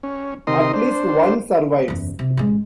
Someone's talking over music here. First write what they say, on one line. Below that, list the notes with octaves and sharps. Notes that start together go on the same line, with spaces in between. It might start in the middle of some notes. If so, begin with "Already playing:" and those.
At least one survives.
C#4
C3 D#3 A#4 D#5 C6
D4 C5
F#1 E2
C3
A1 G#3